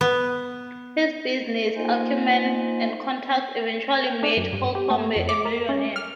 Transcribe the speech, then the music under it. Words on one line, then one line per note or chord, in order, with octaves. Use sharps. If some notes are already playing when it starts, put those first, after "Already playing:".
His business acumen and contacts eventually made Holcombe a millionaire.
B3
A#3 D#4 F4 C5 D#5 G#5
G5
D4
F#2
G2
G4
A3
F2
D6
A#4
C#4
F6